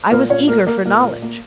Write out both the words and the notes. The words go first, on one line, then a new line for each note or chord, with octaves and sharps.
I was eager for knowledge.
A#2 A#3 A#4
A#2 C#4 C#5
A#3 A#4
A#3 A#4
A#2 A#3 A#4
A#2
A#3